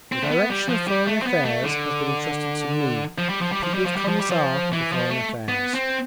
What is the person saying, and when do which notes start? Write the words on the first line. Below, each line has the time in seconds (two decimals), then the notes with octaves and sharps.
The direction of Foreign Affairs has been entrusted to me, People's Commissar for Foreign Affairs....
0.12 C4
0.23 A3
0.31 B3
0.50 G3
0.69 F3
0.88 G3
1.07 A3
1.22 C4
1.27 B3
1.45 A3
1.65 D3
3.18 F3
3.30 G3
3.41 F3
3.52 G3
3.63 F3
3.74 G3
3.86 F3
3.96 G3
4.08 F3
4.20 G3
4.30 F3
4.73 E3
4.92 F3
5.10 A3
5.48 B3
5.74 C4